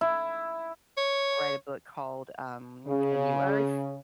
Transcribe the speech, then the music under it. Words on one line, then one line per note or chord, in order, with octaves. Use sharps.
write a book called, um, A New Earth,
E4
C#5
C#3